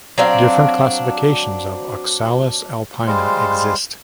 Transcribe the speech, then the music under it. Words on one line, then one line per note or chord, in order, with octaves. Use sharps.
Different classifications of "Oxalis alpina" exist.
F#3 C4 D4 F5
G3 G#3 C5 F5